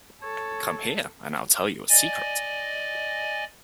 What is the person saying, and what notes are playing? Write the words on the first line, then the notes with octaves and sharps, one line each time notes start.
Come here and I'll tell you a secret.
A4 C#5
D5 D#5 G#5